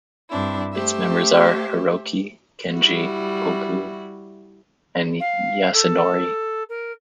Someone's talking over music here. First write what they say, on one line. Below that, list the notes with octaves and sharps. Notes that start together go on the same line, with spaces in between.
Its members are Hiroki, Kenji, Ogu and Yasunori.
G2 C4 D4 E4
A3 G4 C5 E5
G3 E4 F#4
F5
A4
A#4